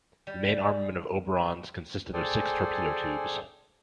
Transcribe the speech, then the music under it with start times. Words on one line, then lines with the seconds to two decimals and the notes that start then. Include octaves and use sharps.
The main armament of the "Oberon"s consisted of six torpedo tubes.
0.27 G3
2.14 G#4 A4 C5 D5 G5 G#5